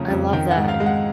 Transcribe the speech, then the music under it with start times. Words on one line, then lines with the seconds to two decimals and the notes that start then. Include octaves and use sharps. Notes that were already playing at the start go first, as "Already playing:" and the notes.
I love that.
Already playing: F2 C#3 F3 A3 A#5
0.10 F2
0.33 D#3 G5
0.51 F#5
0.57 G#2
0.68 F5
0.80 G#3
0.86 F#5